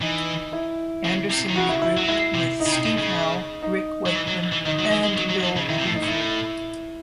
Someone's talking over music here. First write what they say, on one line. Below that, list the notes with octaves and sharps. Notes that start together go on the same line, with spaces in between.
Anderson regrouped with Steve Howe, Rick Wakeman and Bill Bruford.
E3 D#4
E4
C#3
C3
D#3
C#3 F#4
E4
E4
F#3
G#3 E4
C3
D#4
C#3
C3
A2
C#3
D#4
F#3
E3
F#3
E3
D#3 D#4
F#3
E3
G#3
F#3
F#3
E3
C#3
D#3 E4
C3
A2
D#4
A2 E4